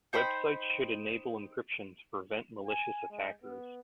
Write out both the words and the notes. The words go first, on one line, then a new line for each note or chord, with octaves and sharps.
Websites should enable encryption to prevent malicious attackers.
D#4 C5 G5 B5
G#5
G#3
B3